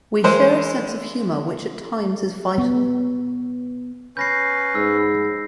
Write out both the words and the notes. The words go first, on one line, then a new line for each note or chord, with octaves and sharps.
We share a sense of humour which at times is vital.
E3 G#3 A#3 C5
B3
C#4 B4 G6 A#6 C7
G#2 E6